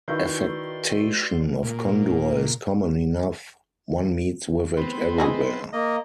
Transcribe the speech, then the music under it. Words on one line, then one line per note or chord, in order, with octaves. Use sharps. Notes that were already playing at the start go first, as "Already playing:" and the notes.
Affectation of candour is common enough — one meets with it everywhere.
D#3 E4 F#4 B4 D5 C6 G6
A#2
B3 C4
D#4 E4 G#4
A#3 D#5